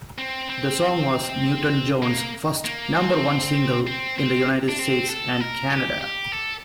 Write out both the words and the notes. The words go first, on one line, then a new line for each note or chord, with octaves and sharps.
The song was Newton-John's first number-one single in the United States and Canada.
C4
C4
A#3
A#3
C4
C4
C4
D4
C4
A4
A#4
G4
G4
A4